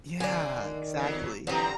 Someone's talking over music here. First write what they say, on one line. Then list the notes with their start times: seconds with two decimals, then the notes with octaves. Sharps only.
Yeah, exactly.
0.20 C2 D3 A#3 D5 G#5
0.56 D#3
1.00 E2 F#3
1.47 F#2 D3 E3 F3 G3 C4 A#5